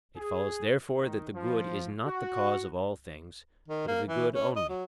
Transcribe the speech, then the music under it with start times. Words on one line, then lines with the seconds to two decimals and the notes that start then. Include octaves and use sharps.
It follows therefore that the good is not the cause of all things, but of the good only?
0.16 G#4
0.99 D#3
1.34 F3
2.06 F#4
3.68 D#3
3.88 A#3
4.08 E3
4.34 C#4
4.56 D#5
4.69 F#3